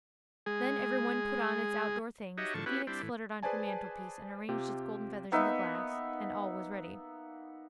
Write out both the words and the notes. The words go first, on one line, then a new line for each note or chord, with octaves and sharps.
Then every one put on its outdoor things, the Phoenix fluttered on to the mantelpiece and arranged its golden feathers in the glass, and all was ready.
G#3 G#4
D#4 F#4 G4 C#5 D#5 E5
A2 D3 F3 A5 C#6
B3 C#4 E4 F#4 G4 B4
G3 C4 D4 E4
A2 E3
G#4 B4 C5 D5 G#5 A5
C3 F4 G4 G5
A#3 B3 D#4 E5